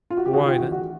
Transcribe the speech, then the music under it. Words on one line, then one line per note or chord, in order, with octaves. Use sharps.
"Why then?"
F4
F#4
G4
D#3 F#4 G#4
F4 G4
A1 F#4
F#4